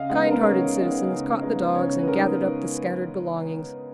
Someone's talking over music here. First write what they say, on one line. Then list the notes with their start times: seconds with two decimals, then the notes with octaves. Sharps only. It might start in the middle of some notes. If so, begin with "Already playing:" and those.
Kind-hearted citizens caught the dogs and gathered up the scattered belongings.
Already playing: C#3 D#5 F5
0.09 G#3 B3 D#4 F#5
0.27 A#4
0.43 C#3 C#5
0.76 G#3 B3 D#4
1.09 C#3
1.42 G#3 B3 D#4
1.74 C#3 C#5
1.99 B4
2.08 G#3 B3 D#4 A#4